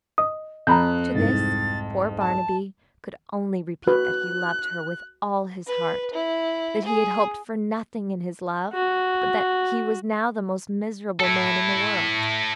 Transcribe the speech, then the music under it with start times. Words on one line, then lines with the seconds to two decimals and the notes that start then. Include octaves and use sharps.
To this poor Barnaby could only repeat that he loved her with all his heart, that he had hoped for nothing in his love, but that he was now the most miserable man in the world.
0.18 D#5 D#6
0.67 F2 A#5 B5 F#6 G6
1.15 C2 G#2 A6
2.20 A5
3.87 F#4 B4 F#6
5.67 B4
6.14 E4
6.85 G#4
8.73 F#4
11.20 E4 A4